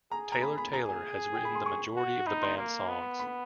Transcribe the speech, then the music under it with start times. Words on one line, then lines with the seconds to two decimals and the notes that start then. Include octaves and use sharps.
Taylor-Taylor has written the majority of the band's songs.
0.11 G#4 A#5
0.32 A#5
0.42 B5
0.58 B5
0.73 G#4 A#5
0.89 G#5
1.35 G5
1.45 B5
1.55 C6
1.66 C#6
1.96 F#4
2.27 D#4 B5
2.42 C6
2.58 A#3
2.89 B3
3.20 B5